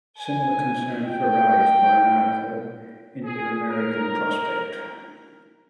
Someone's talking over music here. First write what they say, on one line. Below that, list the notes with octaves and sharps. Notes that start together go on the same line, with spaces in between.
Similar concerns were raised by an article in "The American Prospect".
G#5
G5
G#4
A#4